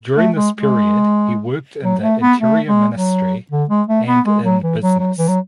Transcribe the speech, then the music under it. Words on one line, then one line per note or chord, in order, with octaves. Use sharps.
During this period he worked in the Interior Ministry and in business.
A3
G#3
G#3
F#3
A3
B3
A3
G#3
F#3
D3
G#3
A3
B3
G#3
F#3
E3
F#3
F#3
E3
F#3